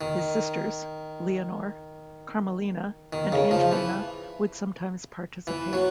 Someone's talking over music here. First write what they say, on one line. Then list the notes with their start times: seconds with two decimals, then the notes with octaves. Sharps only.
His sisters, Leonor, Carmelina and Angelina would sometimes participate.
0.01 D#3
3.13 D#3
3.32 C#3
3.51 F3
3.72 E3
5.47 E3
5.73 F#3